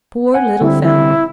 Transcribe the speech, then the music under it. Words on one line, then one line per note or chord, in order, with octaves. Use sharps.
Poor little fellow!
F#5 G#5
D3 G3 C4 E4
E4